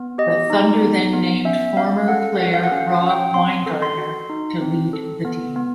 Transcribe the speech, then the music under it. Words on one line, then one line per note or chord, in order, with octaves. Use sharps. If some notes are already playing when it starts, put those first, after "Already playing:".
The Thunder then named former player Rob Weingartner to lead the team.
Already playing: B3
G4 D#5
D#4
B3
B3
C#4 E5
C#4 F5
A4 F#5
F#4 F#5
F5
F#5
C#4
F#5
C#4
G5
C4 C6
A4
C6
F#4
D#4
C4
A4
B3
B3